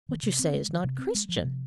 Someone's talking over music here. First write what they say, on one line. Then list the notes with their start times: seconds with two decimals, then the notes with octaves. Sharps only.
"What you say is not Christian."
0.09 D#3
0.23 C3
0.39 C4
0.54 G#3
0.69 D#3
0.84 C3
0.99 C4
1.15 G#3
1.29 F3
1.44 C3